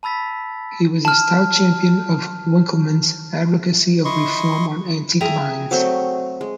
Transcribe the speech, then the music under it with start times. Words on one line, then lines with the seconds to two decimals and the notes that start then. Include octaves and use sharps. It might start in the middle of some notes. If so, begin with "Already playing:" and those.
He was a stout champion of Winckelmann's advocacy of reform on antique lines.
0.03 A5 B5 E6 A6 B6
1.05 A5 F6
4.05 E4 D#5 C6 C#6
5.21 G#4 E5 G5 A#5
5.71 F#3 A3 C4
6.41 G#3